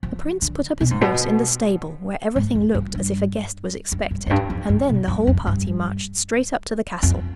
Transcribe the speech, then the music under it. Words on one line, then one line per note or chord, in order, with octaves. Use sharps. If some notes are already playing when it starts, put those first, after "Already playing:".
The prince put up his horse in the stable, where everything looked as if a guest was expected, and then the whole party marched straight up to the castle.
F3
D3
B2
G#2
B2
G#2
F2
G2
G2
G2
G2
F2
G2
F2
G2
B2
G2
F2
G2
F2